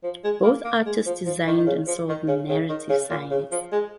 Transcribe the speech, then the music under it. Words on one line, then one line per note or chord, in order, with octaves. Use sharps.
Both artists designed and sold narrative signs.
F3
G#3
A#3
A#3
G#3
F3
F3
D#3
D#3
C#3
F3
D#3
C#3
C#3
D#3
C#3
A#2
C#3
F3
G#3